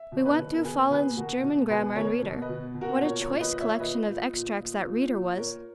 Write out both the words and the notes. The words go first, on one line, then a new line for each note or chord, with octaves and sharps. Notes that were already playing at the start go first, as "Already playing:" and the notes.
We went through Follen's German Grammar and Reader:--what a choice collection of extracts that "Reader" was!
Already playing: E5
B2 C#5
B4 D#5
B2
A#4
B2 G#4 B4
B2 G#4 B4
B2 F#4 A#4
B2
B2 G#4 B4
B2 A#4 C#5
B2
B4 D#5
B2
B2
F#4 A#4
A#2 A#4 C#5
A#4 C#5
A#2
B4 D#5
A#2
C#5 E5
A#2 B4 D#5
A#2
A#2
A#2
A#2
A#2
A#2 A#4 C#5